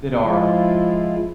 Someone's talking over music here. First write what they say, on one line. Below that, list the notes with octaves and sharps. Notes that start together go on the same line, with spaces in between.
that are
F3 G#3 E4 F4